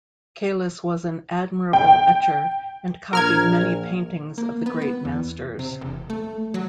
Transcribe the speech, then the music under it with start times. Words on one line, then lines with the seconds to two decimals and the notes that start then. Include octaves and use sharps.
Caylus was an admirable etcher, and copied many paintings of the great masters.
1.73 G5
3.13 A#1 A#4 F6 G#6
4.38 A#3
4.66 B3
4.82 B3
5.05 E2
5.59 C3
5.81 E1
6.10 A3
6.54 F#3